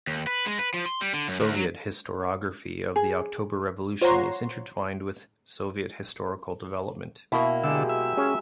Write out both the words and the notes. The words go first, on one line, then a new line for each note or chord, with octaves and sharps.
Soviet historiography of the October Revolution is intertwined with Soviet historical development.
D#2
B4
G#3
B4
F3
C6
G3
D3
F#2
D2
F#3
G#4
F4 C5 C#5 F#5 A#5 C6
B2 A#3 E4 G5
D3 F#3 G#3 G4 E6
E5
C#4 G#4 C#5